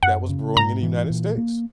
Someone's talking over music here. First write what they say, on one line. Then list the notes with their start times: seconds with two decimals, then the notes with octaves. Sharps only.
that was brewing in the United States.
0.03 F#2 F#5
0.29 C#3
0.56 G#2 A#5
0.83 E3
1.10 A#2
1.37 A#3